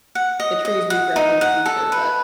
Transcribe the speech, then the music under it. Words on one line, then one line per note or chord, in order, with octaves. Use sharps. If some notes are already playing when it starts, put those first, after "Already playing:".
the trees regrow in the future, but
F#5
D#5
D#5
F#5
D#4
F#5
A4
B4